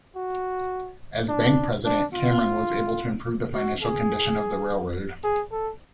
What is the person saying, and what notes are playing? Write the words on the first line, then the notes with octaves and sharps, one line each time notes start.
As bank President, Cameron was able to improve the financial condition of the railroad.
F#4
D4
D4
F4
F#4
G#4
G#4
A4